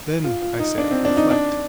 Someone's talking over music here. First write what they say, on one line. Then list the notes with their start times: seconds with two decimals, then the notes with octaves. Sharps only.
Then, I said, reflect.
0.24 F4
0.42 F4
0.59 D#4
0.78 D4
0.91 C4
1.05 D4
1.17 D#4
1.31 D4